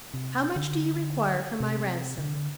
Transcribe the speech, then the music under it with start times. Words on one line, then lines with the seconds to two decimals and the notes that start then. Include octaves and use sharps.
"How much do you require for my ransom?"
0.14 C3
0.56 D3
1.60 C3
2.18 D3